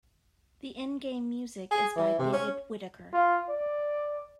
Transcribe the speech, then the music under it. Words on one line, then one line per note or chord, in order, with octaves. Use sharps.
The in-game music is by David Whittaker.
G#4
E3
C3
C#4
F4
D5